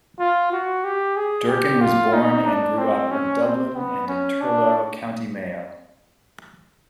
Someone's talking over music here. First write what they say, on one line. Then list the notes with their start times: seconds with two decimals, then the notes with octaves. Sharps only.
Durcan was born and grew up in Dublin and in Turlough, County Mayo.
0.19 F4
0.52 F#4
0.84 G4
1.16 G#4
1.48 G4
1.81 F4
2.13 D#4
2.46 D4
2.78 C4
3.11 C#4
3.43 C4
3.76 B3
4.08 C#4
4.41 D4